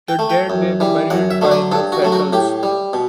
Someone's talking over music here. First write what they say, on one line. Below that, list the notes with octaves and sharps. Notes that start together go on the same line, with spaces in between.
The dead were buried by the Federals.
G5
A3
G5
F#2
E3 G3
F#2 F#5
E5
D3 F#3 A3
D5
G2 A4
F#4
F#3 A3
F#4
A2 G4
G3
B2